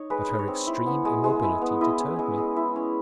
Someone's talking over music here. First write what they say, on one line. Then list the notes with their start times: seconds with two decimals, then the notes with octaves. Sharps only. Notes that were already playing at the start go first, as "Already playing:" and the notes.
But her extreme immobility deterred me.
Already playing: D#4 C#5
0.10 G#3 B4
0.29 D#4
0.39 C#5
0.48 C4
0.67 E4
0.86 B3
1.05 G#3
1.24 G#3
1.43 E4
1.62 B3
1.81 E4 D#5
2.00 C#4
2.19 G#3
2.38 G#3
2.57 E4
2.76 C#4